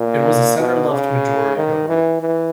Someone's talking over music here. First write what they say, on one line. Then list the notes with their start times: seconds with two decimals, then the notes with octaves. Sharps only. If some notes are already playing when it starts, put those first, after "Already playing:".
It was a Center-left majority government.
Already playing: A#2
0.59 B2
0.91 C#3
1.56 D#3
1.88 E3
2.21 E3